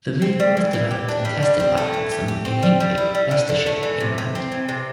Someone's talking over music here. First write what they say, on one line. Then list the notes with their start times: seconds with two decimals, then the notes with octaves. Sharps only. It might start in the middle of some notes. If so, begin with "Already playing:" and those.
The vehicle was developed and tested by Hansom in Hinckley, Leicestershire, England.
0.22 C4
0.40 G3
0.57 E3
0.73 E3
0.91 G4
1.09 D4
1.25 G3
1.43 G3
1.60 C4
1.78 A3
1.94 E3
2.12 G4
2.28 G4
2.45 C4
2.63 G3
2.80 G3
2.98 E4
3.15 G3
3.31 D3
3.49 D3
3.66 A3
3.83 E3
4.00 C3
4.18 C3
4.35 C4
4.52 E3
4.69 C3